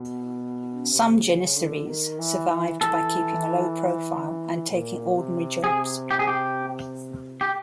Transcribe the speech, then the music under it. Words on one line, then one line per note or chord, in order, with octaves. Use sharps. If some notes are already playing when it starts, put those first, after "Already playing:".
Some Janissaries survived by keeping a low profile and taking ordinary jobs.
Already playing: B2
C3
C#3
D3
D#3
E3
E3
E3 A4
A#2
C3
C3 G#4
G4
G#4
G4
G4